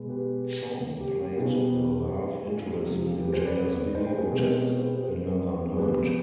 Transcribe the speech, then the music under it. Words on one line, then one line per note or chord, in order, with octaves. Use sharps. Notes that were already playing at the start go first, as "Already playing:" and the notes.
Chong played the love interest in Mick Jagger's video "Just Another Night".
Already playing: B2 G#3 B3
G4 B4
G4
G4
B2 G3 B3 D#4 F4 G#4
G#4 C5
G4 B4
F4 G#4
G4
C3 F3 G#3 F4
F4
G4
G4 B4
G#4 C5
B4 D5
C5 D#5
D#5 G5
G#4 C5
B2 G#3 C4 D#4 G4 B4
F4 G#4
G#4 C5
G4 B4
G#4 C5
B4 D5
G#4
F3 G#3 B3 D4 G4 B4